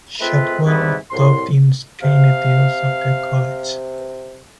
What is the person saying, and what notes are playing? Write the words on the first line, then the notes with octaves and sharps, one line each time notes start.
Shotwell taught in Skaneateles after college.
G#3 A3 C4 F4 B4
G#2 C3 E3 G3 B3 E4
C2 A2 C6
C3 F5